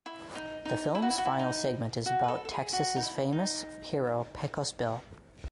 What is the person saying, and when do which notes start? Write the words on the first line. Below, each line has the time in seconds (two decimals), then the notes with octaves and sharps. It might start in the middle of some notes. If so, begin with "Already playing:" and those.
The film's final segment is about Texas' famous hero Pecos Bill.
0.06 E4
0.35 D#4
0.65 D#4
0.95 E4
1.02 F#4
1.10 E4
1.18 F#4
1.25 E4
1.39 D#4
2.06 F#4
2.24 B4
2.28 A4
2.45 A4
2.51 G#4
2.73 F#4
2.96 D#4
3.03 E4
3.32 D#4